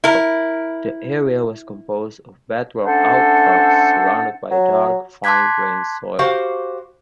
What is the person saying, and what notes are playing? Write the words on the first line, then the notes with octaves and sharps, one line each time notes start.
The area was composed of bedrock outcrops surrounded by dark, fine-grained soil.
E4 A#4
A3 C#4 D4 A4 C5 F#5
F#3
A5 C6 D6 F#6 G#6 B6
F#4 G4 C5 F5